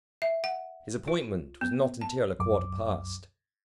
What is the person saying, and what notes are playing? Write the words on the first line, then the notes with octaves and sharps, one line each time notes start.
His appointment was not until a quarter past.
E5
F#5
F4
B3
A5
C2 F#2 D6